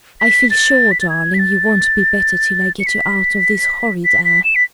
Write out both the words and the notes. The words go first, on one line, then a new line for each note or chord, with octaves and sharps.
'I feel sure, darling, you won't be better till I get you out of this horrid air.
B6
A6
B6
A6
G#6
B6
A6
C#7
B6
B6
B6
E7
B6